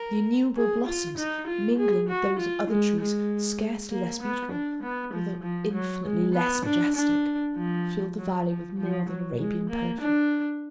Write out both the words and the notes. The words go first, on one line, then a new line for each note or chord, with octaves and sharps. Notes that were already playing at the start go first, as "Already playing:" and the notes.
The innumerable blossoms, mingling with those of other trees scarcely less beautiful, although infinitely less majestic, filled the valley with more than Arabian perfumes.
Already playing: A#4
G#4
F4
D#4
F4
G#4
F#4
F4
G#3
G#3
A#3
B3
D4
B3
F3
F3
F#3
G#3
B3
D4
D4
F3
F#3
F3
F3
F#3
G#3
A#3
D4